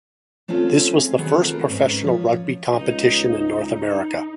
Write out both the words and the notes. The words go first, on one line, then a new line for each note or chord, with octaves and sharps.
This was the first professional rugby competition in North America.
A3 C4 C#4 F4 A4
G#4
D#3 F#3 B3 C4 F#4 G#4
A3 C4 F4 A4 A#4
G#2 C#4 B4
F3 C#5
C#2 D#4